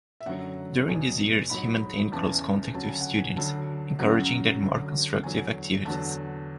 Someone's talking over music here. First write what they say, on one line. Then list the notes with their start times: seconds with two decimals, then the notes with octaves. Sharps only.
During these years he maintained close contact with students, encouraging their more constructive activities.
0.20 E5
0.26 F#2 D3 F#3 F#5
0.88 E2 B2 F#3 G#5
1.50 G#2 F#3 B5
2.12 E2 C#3 E3 A5
2.75 D2 C#3 F#3 A5
2.88 G#5
3.01 F#5
3.14 G#5
3.37 D2 D3 F#3 A5
3.99 F#2 C#3 F#3 F#5
4.62 D2 D3 F#3
5.23 E2 D3 F#3 G#5
5.85 E2 D3 F#3 A5